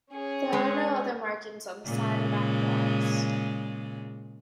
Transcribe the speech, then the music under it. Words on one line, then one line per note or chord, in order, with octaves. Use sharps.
There are no other markings on the side or back walls.
C#4 G#4 C#5
G#3 B4
A#2 C#3 G#3